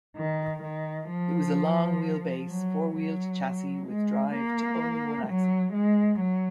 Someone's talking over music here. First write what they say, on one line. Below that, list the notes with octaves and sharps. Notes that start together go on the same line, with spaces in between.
It was a long wheelbase four wheeled chassis with drive to only one axle.
D#3
D#3
F3
F#3
F#3
G#3
A#3
F#3
G#3
F#3